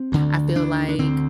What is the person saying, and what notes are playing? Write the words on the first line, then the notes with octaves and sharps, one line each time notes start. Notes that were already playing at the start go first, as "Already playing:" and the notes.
I feel, like,
Already playing: C4
D2 D3
D2 D3 D4
D4
D2 D3 C4